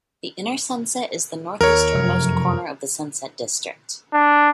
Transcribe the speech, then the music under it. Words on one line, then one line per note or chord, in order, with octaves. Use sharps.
The Inner Sunset is the northeastern-most corner of the Sunset District.
D#2 A#4 C#5
F1 F#2
D4